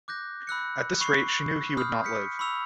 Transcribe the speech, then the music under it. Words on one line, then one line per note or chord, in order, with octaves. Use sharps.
At this rate she knew he would not live.
D6 F#6 G6 A#6
B5 E6 F#6 C#7
B5 C#6 C7
B5 D#6 F6 G6
G6 B6 C#7
B5 C#6 E6 F7